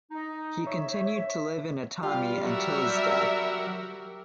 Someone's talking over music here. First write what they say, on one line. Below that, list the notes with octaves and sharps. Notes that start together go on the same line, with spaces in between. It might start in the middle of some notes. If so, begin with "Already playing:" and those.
He continued to live in Atami until his death.
D#4
C#5 E5
G3 F4 G4
F#3 A#4 E5